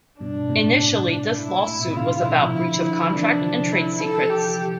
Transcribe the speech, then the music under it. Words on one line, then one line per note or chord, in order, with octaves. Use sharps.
Initially this lawsuit was about breach of contract and trade secrets.
G2 B2 D4
A2 C3
E4
A2
B2
C3
B2 D3 F4
D3 F3 E4
D3 F3 E4
D3 F3 E4
C3 E3 D4
E3
D3 F3
E4
A4
G4